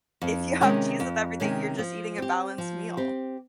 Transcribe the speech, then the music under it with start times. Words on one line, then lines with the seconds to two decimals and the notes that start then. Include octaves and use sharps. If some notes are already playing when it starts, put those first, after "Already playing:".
If you have cheese with everything, you're just eating a balanced meal.
0.22 F2
0.61 C3 D#3 G#3 C#4
1.00 F2
1.40 C3 D#3 G#3 C#4
1.79 F3
2.18 C4 G4
2.58 F3
2.97 C4 G4